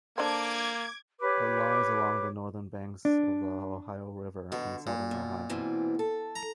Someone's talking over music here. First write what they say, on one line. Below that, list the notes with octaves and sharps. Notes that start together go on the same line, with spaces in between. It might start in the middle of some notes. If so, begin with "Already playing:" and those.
It lies along the northern banks of the Ohio River in southern Ohio.
A#3 D4 A4 C5 D6 G#6
G4 B4 C#5 D6
D4
B2 D3
A#2
B2
B2 E3 C4
A4
A#5